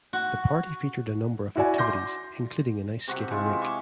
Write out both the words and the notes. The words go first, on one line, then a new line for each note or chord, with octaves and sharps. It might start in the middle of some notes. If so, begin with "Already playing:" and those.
The party featured a number of activities, including an ice skating rink.
F#4
E4 F#4 D5 G#5
C6 D6 G6 A#6
C3 G4 F#5 C#6
G#3 E4 F4
C#5 D#5 C#6 D6